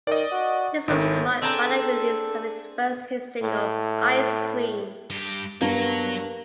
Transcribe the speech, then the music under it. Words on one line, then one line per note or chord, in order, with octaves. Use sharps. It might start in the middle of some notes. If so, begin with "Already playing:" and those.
This was marked by the release of his first hit single, "Ice Cream".
D#3 D5 D#5
F#4
G#1 A2 D#3
C4 D4 G#4 A4 G5 A5 A#5
A2
G2 G4
G2 F#3 A#3 B3 F#4